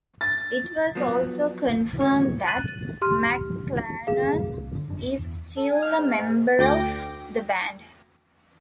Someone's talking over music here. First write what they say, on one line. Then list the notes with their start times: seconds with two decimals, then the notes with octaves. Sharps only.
It was also confirmed that McClarnon is still a member of the band.
0.21 A6
0.95 F3 F#3 B3
2.00 D2 C#5
2.47 F#6 A6 D#7 F#7
3.02 G4 C6 F6
4.07 G#4 F5
4.36 F#1 C2 A2
4.56 C2
4.75 D3
4.88 F#1 D4
5.00 D1
5.19 E2
5.57 A4
5.70 G#5
5.83 F6
5.98 G#2
6.18 G#2
6.59 D2 G5 D6 A#6